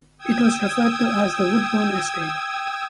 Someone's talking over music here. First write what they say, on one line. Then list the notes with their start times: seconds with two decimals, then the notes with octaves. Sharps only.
It was referred to as the Woodbourne Estate.
0.18 G5 D#6 E6 G#6